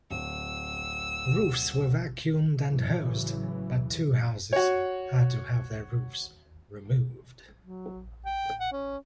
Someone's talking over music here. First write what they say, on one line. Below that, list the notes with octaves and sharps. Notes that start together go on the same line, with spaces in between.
Roofs were vacuumed and hosed, but two houses had to have their roofs removed.
D1 E6
A2 C#3 E3 F#3
F#4 C#5
F#3
G5
F#5
C#4